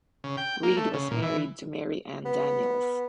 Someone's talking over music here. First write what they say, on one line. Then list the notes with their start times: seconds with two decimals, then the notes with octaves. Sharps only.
Read was married to Mary Ann Daniels.
0.24 C#3
0.37 G5
0.63 A#3
0.76 A3
0.94 C#3
1.11 A#2
1.22 E3
2.25 B3